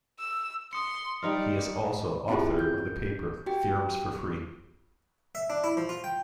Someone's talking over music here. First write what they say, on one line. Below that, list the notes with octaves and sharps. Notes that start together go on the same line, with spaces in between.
He is also author of the paper Theorems for free!
E6
C6 D#6 C#7
G3 D#4 F4 D5
C4 E4 F4 G4 G#4
G6
F#4 G4 G5
E5
D4
E4
F3
F4
G5